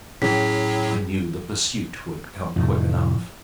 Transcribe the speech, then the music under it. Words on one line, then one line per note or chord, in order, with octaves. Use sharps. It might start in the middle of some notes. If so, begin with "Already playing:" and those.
I knew the pursuit would come quick enough.
A2 F#3 C#4 G#4 B6
F2 A2 C3